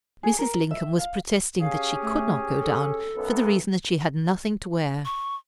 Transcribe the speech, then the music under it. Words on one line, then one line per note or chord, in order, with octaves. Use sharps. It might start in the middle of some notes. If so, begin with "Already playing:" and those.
Mrs. Lincoln was protesting that she could not go down, for the reason that she had nothing to wear.
G#4
A#4
E5
F5
C#4 G4 G#4 F5
A3
A4
B1 F#2 B3
C#6